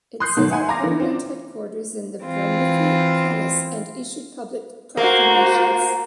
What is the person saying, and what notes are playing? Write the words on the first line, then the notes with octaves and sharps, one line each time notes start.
It set up permanent headquarters in the Branicki Palace and issued public proclamations.
C6 D#6 F#6 G6 C7
G#2 B2 D#3 F#3 A3
E5 F#5 G#5 C6
F5 G#5 A#5 C6 D6 A#6
D3 E3 B3
C4 C#4 F4 D5
E3 C4 F4
A#3 F#4 C5